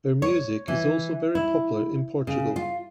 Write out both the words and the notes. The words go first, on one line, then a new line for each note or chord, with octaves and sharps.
Her music is also very popular in Portugal.
C#5
E3
E4
C#3
F4